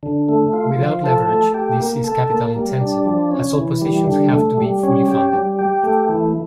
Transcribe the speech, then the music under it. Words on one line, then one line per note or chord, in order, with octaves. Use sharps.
Without leverage this is capital intensive as all positions have to be fully funded.
D3
A3
F4
F3
A4
A3
G4
A#3
A4
A#3
G3
D4
F3
C#4
E3
G3
D3
A3
G3
C#4
G4
G3
G4
A3
E3